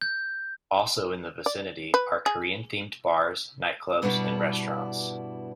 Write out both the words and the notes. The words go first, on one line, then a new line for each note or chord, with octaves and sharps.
Also in the vicinity are Korean-themed bars, nightclubs, and restaurants.
G6
D5
B4
G#4
G2 B2 G3 B3 D4 E4